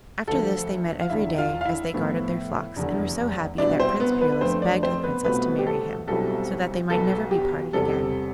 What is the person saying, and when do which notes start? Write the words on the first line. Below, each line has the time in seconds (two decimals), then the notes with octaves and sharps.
After this they met every day as they guarded their flocks, and were so happy that Prince Peerless begged the Princess to marry him, so that they might never be parted again.
0.28 D2 D3 F3 A4
1.01 F5
1.10 E1 E2 D3 E4 E5
1.38 F4 F5
1.61 F5
1.66 E4 E5
1.93 A2 F3 B3
2.76 F1 E2 D3
3.58 C2 B2 B3 D4 E4 D5
3.80 C4 C5
4.00 B3 B4
4.21 B3 B4
4.32 B4
4.41 F2 D3 F3 A3 C4 C5
4.62 D4 D5
4.83 C4 C5
5.04 B3 B4
5.24 C2 B2 A3 B3 C4 F4 B4
5.59 G4
5.67 A4
6.07 B1 B2 G3 C4 E4 A4
6.90 B1 B2 B3 A4
7.31 G4
7.73 E1 E2 C3 G3 C4 A4